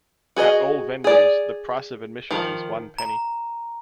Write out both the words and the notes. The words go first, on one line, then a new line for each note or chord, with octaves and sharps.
At all venues the price of admission was one penny.
F#4 G#4 A4 D#5
G#4 D5
D#3 F3
A#5